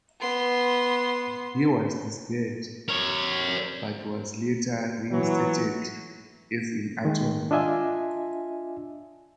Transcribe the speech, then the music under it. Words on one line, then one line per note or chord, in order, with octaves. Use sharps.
He was disbarred, but was later reinstated, as an attorney.
B3 C6
A#4 C#5
E3 F#3
D#3 G#3
D4 F4 D#5 E5 G#5